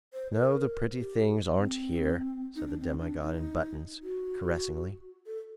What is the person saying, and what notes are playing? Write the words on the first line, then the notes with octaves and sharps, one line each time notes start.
"No, the pretty things aren't here," said the demi-god in buttons, caressingly.
C5
A#4
G4
C4
D#4
D4
C4
D4
D#4
F#4
A4